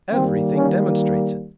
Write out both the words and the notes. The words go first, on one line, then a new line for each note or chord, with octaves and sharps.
Everything demonstrates it.
D#3 G3 A#3 C4
C#4